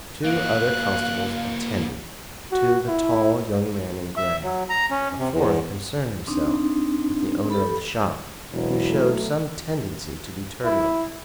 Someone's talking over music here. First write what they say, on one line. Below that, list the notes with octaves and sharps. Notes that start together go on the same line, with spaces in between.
Two other constables attended to the tall young man in grey; a fourth concerned himself with the owner of the shop, who showed some tendency to be turbulent.
A#3 F#4 F5 F#6
F#4
E4
E5
F#3
A#5
C#4
C3
E2
C4 D4 D#4
G4 A4 B5
E1 B2 F#3 E4
A3
E4